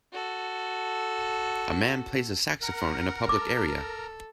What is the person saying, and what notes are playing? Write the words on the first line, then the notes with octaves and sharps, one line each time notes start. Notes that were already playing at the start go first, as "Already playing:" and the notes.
A man plays a saxophone in a public area.
F#4 A4
A#4 F#5 A#5
A4 D6